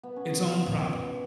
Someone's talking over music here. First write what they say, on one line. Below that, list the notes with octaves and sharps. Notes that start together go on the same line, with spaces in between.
its own problem.
B3
C#4
B3